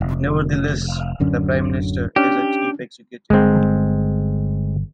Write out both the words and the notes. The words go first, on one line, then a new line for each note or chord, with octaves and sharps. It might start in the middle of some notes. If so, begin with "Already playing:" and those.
Nevertheless, the Prime Minister is the chief executive.
F1
D1 F#2 D3 C#4
C#4 D4 G4
G1 G#3 C4